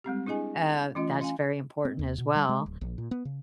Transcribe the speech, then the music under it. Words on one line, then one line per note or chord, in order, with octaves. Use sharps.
Uh, that's very important as well.
G3 G#3 C4 G4
D4 E4 G#4 D#5 G#5
E3 A3 C#4 F4 D#5
C#4 F5 G#5
C4
D#2
B2
G3
G#3
D1
A#1
A#2
B3
C#3